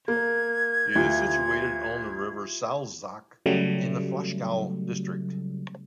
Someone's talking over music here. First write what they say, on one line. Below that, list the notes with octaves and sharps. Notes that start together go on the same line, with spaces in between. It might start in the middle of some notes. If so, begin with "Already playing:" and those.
It is situated on the river Salzach in the Flachgau district.
A#3 G#6
D2 E4 F4 G4
C#3 F#3 G3 A3